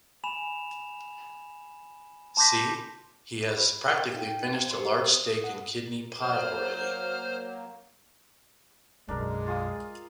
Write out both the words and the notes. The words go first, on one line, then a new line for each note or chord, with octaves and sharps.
See, he has practically finished a large steak-and-kidney pie already.
G#5 B5 E7 F7
A5 C6 D6 G6 A#6 B6
B5
D#4 F5 G5
G4 C5 C6
D#6
A4 F#5
F#3 A#3 C5 F6
B1 F#2 G#3 D4 A#4
F4 G#4 D#6